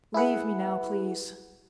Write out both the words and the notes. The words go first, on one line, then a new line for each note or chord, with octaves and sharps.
Leave me now, please.
E4 G#4 B4 F#5